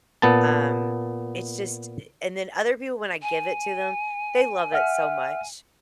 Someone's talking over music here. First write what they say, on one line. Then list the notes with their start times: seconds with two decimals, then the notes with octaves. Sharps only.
um, it's just a and then other people, when I give it to them, they love it so much. I
0.22 A#2 B3 A5
3.22 G#5
4.72 E5 F#5 F6